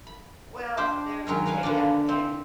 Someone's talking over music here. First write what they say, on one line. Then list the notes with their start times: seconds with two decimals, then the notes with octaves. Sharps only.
Well, they're they yeah, and,
0.07 B5
0.77 D4 G4 C5 B5
1.27 D#3 F#3 G#3 C#4
1.46 A#4 B4 F5 G#5
1.63 D3 A#3 B3 D4
2.09 C4